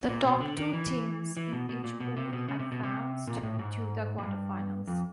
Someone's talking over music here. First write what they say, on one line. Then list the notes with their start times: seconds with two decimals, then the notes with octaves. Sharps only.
The top two teams in each pool advanced to the quarterfinals.
0.09 A#2
0.25 B2
0.41 D3
0.57 D#3
0.73 E3
1.37 E3
1.53 B2
1.69 B2
1.84 A#2
2.00 B2
2.17 C3
2.33 B2
2.48 C#3
2.59 C3
2.72 B2
2.83 C3
3.27 A#2
3.43 A2
3.59 G#2
4.18 G#2
4.23 G2
4.87 F2